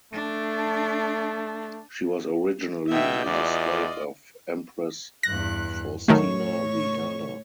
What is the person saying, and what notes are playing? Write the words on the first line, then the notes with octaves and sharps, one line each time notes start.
She was originally the slave of Empress Faustina the Elder.
A3 D4
B2 E5 G5
E2 F4 D5 D#5
E2 G2 F#6 A#6
A2 D#3 F#3 A3 C#5 C#6